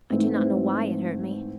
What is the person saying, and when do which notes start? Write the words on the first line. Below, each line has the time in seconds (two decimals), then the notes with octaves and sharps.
I do not know why it hurt me.
0.10 G#2 E3 A3 C4